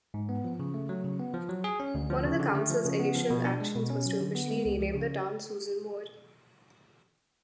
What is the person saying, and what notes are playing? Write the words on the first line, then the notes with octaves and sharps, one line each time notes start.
One of the council's initial actions was to officially rename the town Susan Moore.
G#2
B3
F3
C#3
A3
F#3
C#3
B3
F3
F#3
G#4
C#4
D2
F3
C#3
D3
A3
F3
C#3
B3
F3
B2
D4
G#3
B2
C#4
F#3
D3
B3
G#3
C#2
F3
C#3